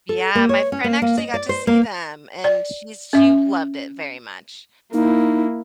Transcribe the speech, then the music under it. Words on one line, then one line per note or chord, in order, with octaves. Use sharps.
Yeah, my friend actually got to see them and she's she loved it very much.
A4
A#3
C#5
C#4
A#3
A#3
D#5
D5
C5
A#3
D5
C#4 E5
A#3 D#4 E4